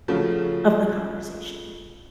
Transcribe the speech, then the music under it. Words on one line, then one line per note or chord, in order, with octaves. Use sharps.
of the conversation.
C#3 F3 F#3 A3